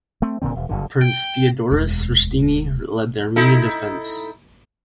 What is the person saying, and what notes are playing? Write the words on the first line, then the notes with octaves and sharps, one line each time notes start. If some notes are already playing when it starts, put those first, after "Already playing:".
Prince Theodoros Rshtuni led the Armenian defense.
A3 C4
F1 A#2 D3 C4
E1
F#1 G2 D3
G5
E1 D2
D#4 E4 A4